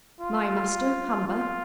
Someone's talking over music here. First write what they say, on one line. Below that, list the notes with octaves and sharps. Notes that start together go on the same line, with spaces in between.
My master, Hamper.
F4
F4